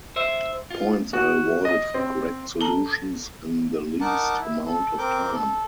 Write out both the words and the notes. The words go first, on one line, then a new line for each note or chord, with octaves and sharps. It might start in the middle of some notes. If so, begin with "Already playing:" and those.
Points are awarded for correct solutions in the least amount of time.
C5 E5
F4
F#4
D#5
C4
A4 A5 A#5
D#4 A#4 F#5 A5 D6
E4
A4
C4 A#4 G5 D6
A4